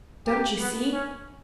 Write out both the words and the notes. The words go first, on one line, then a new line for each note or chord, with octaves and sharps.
Don't you see?
G4
B3
C#4